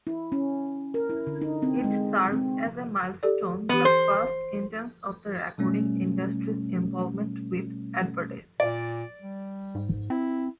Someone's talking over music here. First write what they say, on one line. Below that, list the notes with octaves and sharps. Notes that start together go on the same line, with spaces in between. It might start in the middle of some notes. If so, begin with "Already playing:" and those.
It served as a milestone-the first instance of the recording industry's involvement with advertising.
E4
C#4
A#4
E4
D3
D#4
C4
G#3
C4
G4 A4 D5
E3 B3 G4
C5
B2 G3 A3 C#4
A#2 D5
G3
G#2
C4 E4